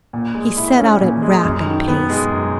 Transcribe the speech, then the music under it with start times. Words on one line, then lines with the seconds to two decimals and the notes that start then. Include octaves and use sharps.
He set out at rapid pace.
0.13 A#2
0.34 G#3
0.57 E4
0.79 C#4
1.01 A#2
1.22 G#3
1.44 F#2
1.66 D#3
1.88 B3
2.10 G#3
2.32 F#2